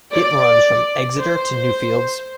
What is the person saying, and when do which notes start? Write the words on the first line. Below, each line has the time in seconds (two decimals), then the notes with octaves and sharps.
It runs from Exeter to Newfields.
0.14 D5
1.19 C5